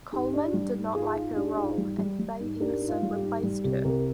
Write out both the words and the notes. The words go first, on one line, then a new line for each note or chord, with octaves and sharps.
Coleman did not like her role and Faye Emerson replaced her.
G#2 G4
D4
G3
G#2
G#2 F4 G#4
G#2 F4
D4 G4
G#2 F4 G#4
G3
G3
G3
G#2
D4 G4 A#4
G#2
F4
G3
G4
G#2
G3 G4
C2 G4
C2 G4 A#4